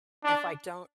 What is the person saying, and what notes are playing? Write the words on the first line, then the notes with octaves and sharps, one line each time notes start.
if I don't
D4